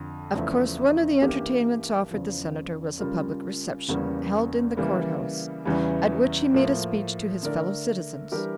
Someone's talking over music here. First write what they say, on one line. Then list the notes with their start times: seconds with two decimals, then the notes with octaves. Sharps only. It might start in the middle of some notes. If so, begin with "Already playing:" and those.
Of course one of the entertainments offered the Senator was a public reception, held in the court house, at which he made a speech to his fellow citizens.
Already playing: F2 D3
0.34 E2 C#3 F3 A3 E4
1.22 G2 E3 A#3 C#4 G4
2.11 E2 C#3 F3
2.99 C#3 G3 C#4 F4 A#4
3.88 E2 C#3 G3 A#3 C#4
4.77 C#3 E3 G3 A#3
5.65 E2 C#3 E3 G3 C#4
6.54 A2 F3 A#3
7.43 D3 A3 E4 A#4 D5
8.32 E3 G3 D4 G4 A#4